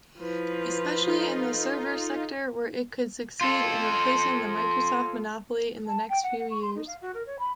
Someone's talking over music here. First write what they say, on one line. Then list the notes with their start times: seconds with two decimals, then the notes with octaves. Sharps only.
Especially in the server sector where it could succeed in replacing the Microsoft monopoly in the next few years.
0.19 F3 E4 B4
1.08 D#4 F4 A4
3.41 F4 A4
5.86 A5
6.09 G5
6.22 F#5
6.39 F#5
6.50 C#6
6.62 C6
6.75 D#4
6.86 F5
7.01 F#4
7.14 A#4
7.26 C#5
7.39 B5